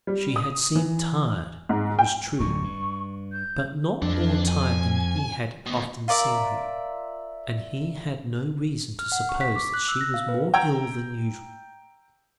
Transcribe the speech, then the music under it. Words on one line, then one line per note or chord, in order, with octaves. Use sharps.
She had seemed tired, it was true, but not more tired than he had often seen her, and he had no reason to suppose that she was more ill than usual.
G3
D#6
E3
G#2
G5
D1 F#2 D3 C#6
G2
G6
F2 D4
G#5
D2 B2
F4 A#4 D5 E5
F6
F#5
C#6
B6
D6
F#6
E6
A#6
F5
B4
G5 A#5 E6 G#6